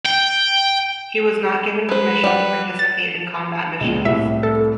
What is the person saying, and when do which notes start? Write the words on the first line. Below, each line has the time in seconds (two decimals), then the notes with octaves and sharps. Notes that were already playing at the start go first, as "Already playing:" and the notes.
He was not given permission to participate in combat missions.
0.05 G5
1.89 G#3 B4 C5
2.24 G3 D5 F#5
2.79 A6
3.81 C#2 A#2
4.05 C2 A2 E5
4.43 A4